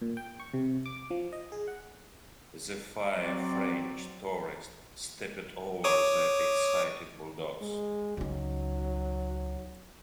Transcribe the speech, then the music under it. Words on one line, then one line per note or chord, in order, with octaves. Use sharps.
The five French tourists stepped over the excited bulldogs.
A#2
G5
C#6
C3
D6
F3
D#5
G#4
F#5
F#3 C4 D5
C#5 D6 D#6
G#3
C#2 F#3 D#4